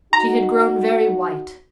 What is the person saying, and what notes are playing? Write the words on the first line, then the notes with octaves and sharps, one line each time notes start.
She had grown very white.
D#4 F#4 A#5